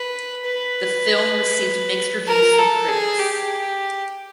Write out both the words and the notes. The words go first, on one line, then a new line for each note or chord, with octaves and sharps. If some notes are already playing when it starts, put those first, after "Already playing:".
The film has received mixed reviews from critics.
Already playing: B4
B4
A#4
A4
G#4
G4